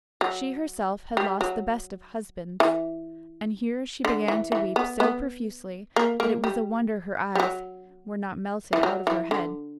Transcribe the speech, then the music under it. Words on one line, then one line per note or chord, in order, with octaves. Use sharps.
She herself had lost the best of husbands, and here she began to weep so profusely, that it was a wonder her eyes were not melted out of her head.
F#3
G3
F#3
E3
D3
E3
E3
B3
B3
A#3
A#3
G3
G3
F#3
E3
F#3
E3
D3